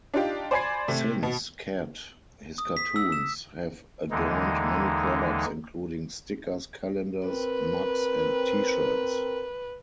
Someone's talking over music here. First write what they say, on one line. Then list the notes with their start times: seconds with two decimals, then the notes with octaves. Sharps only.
Since "Cat", his cartoons have adorned many products including stickers, calendars, mugs, and t-shirts.
0.14 D4 D#4 F4 G4
0.51 C5 D5 G#5 B5 G#6 C7
0.88 C3 A3
1.23 B2
2.58 D#6
2.77 B6
2.96 E6
3.12 E7
4.11 D#2 D3 E3 G#3 D#4
7.26 C4 A#4 B4